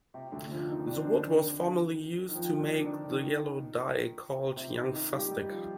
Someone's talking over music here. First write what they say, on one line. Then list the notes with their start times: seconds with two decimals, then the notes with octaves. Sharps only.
The wood was formerly used to make the yellow dye called young fustic.
0.14 C3
0.32 D2 D3
0.51 F2 F3
0.69 D#3 D#4
0.87 D4
0.96 C4
1.05 D3 D4
2.29 D#3
2.35 F2 F3
2.60 D3 D4
2.80 D4
2.84 D#3 D#4
3.09 D#3 D#4
4.57 C3 C4
4.76 D#3 D#4
4.94 D#3 D#4
5.12 G3 G4
5.30 G3 G4
5.49 F3 F4